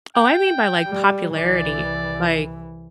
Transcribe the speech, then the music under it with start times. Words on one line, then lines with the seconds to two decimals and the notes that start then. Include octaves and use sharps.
Oh, I mean by, like, popularity. Like,
0.15 G5
0.87 G3
1.35 C2 E3 D5